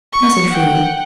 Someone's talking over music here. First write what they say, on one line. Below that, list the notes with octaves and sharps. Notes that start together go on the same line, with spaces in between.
Message for you.
C#6
F#5 G5